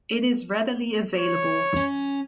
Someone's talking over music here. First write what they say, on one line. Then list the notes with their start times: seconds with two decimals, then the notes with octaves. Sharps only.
It is readily available.
1.18 C#5
1.76 C#4